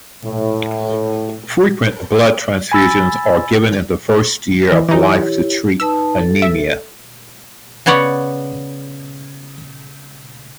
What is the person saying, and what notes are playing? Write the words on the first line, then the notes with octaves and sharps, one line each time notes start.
Frequent blood transfusions are given in the first year of life to treat anemia.
A2
G#5 B5 E6 A6
E3
E3 D#4 E4 G4 C#5
D#4 B4 A5 E6
A4
E5
C#3 B3 C#5 D5 F#5